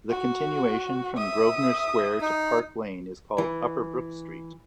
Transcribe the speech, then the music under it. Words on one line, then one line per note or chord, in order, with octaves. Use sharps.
The continuation from Grosvenor Square to Park Lane is called Upper Brook Street.
F#4
E5 D#6
D#4
E3